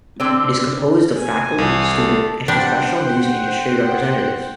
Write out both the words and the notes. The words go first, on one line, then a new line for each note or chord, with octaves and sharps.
It is composed of faculty, student, and professional news industry representatives.
D3 C4
G#5
C2
A4
G3 D4 C5 F#5 G5